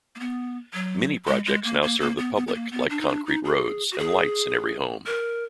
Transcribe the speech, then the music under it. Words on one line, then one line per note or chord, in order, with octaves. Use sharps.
Many projects now serve the public like concrete roads and lights in every home.
A#3
B3
F#3
G#3
G#3
A#3
A#3
A#3
B3
B3
B3
A#3
B3
D4
D#4
D4
D#4
G#4
F#4
G#4
A#4